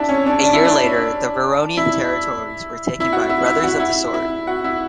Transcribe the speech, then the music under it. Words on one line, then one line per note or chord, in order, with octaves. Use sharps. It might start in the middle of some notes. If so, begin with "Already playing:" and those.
A year later the Vironian territories were taken by Brothers of the Sword.
Already playing: D4 E4
C#4
D4
D4
E4
D4
E4
E4
F#4
E4
E4
F#4
E4
E4
F#4
E4